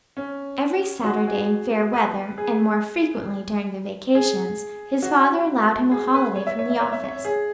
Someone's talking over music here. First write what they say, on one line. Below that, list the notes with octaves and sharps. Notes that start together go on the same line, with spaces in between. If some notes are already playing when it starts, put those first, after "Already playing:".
Every Saturday in fair weather, and more frequently during the vacations, his father allowed him a holiday from the office.
C#4
F#4
G#4
B4
G#4
G#4
F#4
G#4
B4
C#5
E5
C#5
E5
C#5
E5
C#5
G#4